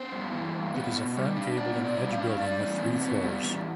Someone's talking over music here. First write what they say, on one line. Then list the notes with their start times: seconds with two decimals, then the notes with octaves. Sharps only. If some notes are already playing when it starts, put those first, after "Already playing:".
It is a front-gabled and edge building with three floors.
Already playing: B3 C5
0.12 G2
0.33 E3
0.54 G2
0.74 B3
0.96 B2
1.16 G3
1.37 D4
1.57 B3 D5
1.78 B2
1.84 D5
1.98 G3
2.13 F5
2.19 D4
2.40 G3 D5
2.60 E2
2.82 C3
3.02 B3
3.22 G3
3.44 E2